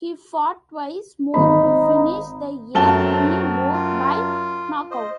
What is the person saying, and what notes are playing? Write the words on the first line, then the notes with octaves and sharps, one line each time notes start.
He fought twice more to finish the year, winning both by knockout.
G#1 C4 D#4 B5
F#2 A3 C4 A5 G7
F4
C5 D#5